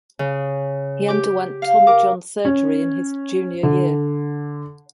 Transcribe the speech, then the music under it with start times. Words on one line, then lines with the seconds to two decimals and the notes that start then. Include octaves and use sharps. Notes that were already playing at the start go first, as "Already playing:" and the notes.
He underwent Tommy John surgery his junior year.
0.19 C#3
1.08 G4 D6
1.62 F5
1.87 A#4 D6
2.45 C#4
3.63 D3